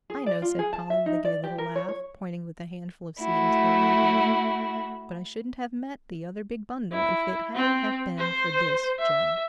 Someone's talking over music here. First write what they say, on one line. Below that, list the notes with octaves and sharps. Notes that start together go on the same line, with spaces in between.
"I know," said Polly with a gay little laugh, pointing with the handful of seed into the library, "but I shouldn't have met the other big bundle if it hadn't have been for this, Joe!"
G#4
D5
F4
G#4
A5
E5
D#4
D5
G4
A#4
C#5
C#5
A3 E4 F#4
E4
C4
C5
E5